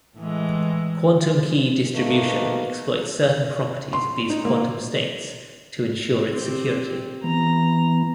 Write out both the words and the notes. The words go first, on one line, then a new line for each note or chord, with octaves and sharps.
Quantum key distribution exploits certain properties of these quantum states to ensure its security.
A2 E3 G#3
G#2 B2 A3 A#3
C6
D#4
A#3
C4 G4
E3 B3 A#5